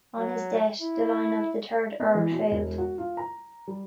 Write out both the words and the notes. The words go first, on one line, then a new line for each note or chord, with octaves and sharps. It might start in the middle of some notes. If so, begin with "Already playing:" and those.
On his death the line of the third Earl failed.
F#3
E4
B3
E3
B2
E1
F#4
F4
A#5
G3